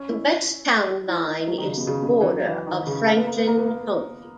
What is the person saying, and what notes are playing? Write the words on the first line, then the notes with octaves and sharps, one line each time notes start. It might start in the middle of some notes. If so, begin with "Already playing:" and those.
The west town line is the border of Franklin County.
Already playing: C#4
E4
E4
D#4
F#3
D#3
C#3
B2
C#3
B2
C#3
E3
F#3
E3
D#3
C#3
A#3
B3
A#3
B3
A#3
B3
A#3